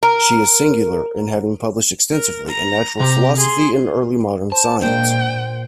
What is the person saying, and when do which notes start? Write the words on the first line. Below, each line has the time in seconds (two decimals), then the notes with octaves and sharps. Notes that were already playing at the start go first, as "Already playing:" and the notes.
She is singular in having published extensively in natural philosophy and early modern science.
0.03 A#4
2.12 A#4
2.49 A#5
3.00 C3 G4 A#5
3.37 G#4 C6
4.52 C5 A5
4.82 A#2 G#3 A#3 D4 C5 G5